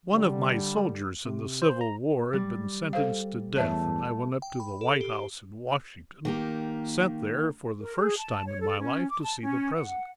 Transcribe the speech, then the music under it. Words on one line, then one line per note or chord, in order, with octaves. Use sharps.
One of my soldiers in the Civil War had been sentenced to death, and I went up to the White House in Washington--sent there for the first time in my life to see the President.
D3 G3
C3
C5
A#5
G3
A4 C5 F5
E2 A3 C#5 E5 A5
G5
B5
A4
G4
D#3 A#3 G4
A#4
G#4
A5
C#5
A4
C#4
D6
A5
C#4
F#5